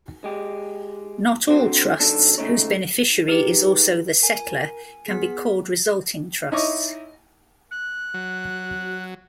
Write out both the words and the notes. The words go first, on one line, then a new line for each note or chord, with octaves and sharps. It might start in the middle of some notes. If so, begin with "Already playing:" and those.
Not all trusts whose beneficiary is also the settlor can be called resulting trusts.
G#3 G4
D3 C4 F#4 C5
C2 B2 D#3 D4 A4
G#2 C#3 A3 D#4 C#5
D#4 G4 G#4 B4
A#4 G#5
B3 G#4 B6
D#4 E4 C#5 D#5 C#6 D6
F#6
F#3